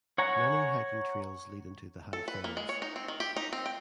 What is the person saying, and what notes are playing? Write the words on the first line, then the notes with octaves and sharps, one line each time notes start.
Many hiking trails lead into the High Fens.
C#5 F#5 G#5 A#5
A4
B4
A#3
G#3
C#5
D#4
C4
D#3
G4
D#4
C4
G5